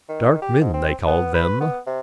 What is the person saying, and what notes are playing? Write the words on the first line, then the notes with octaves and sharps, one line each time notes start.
Dark men they call them.
D#3
G4
G#2
C4
B3
B4
B3
C3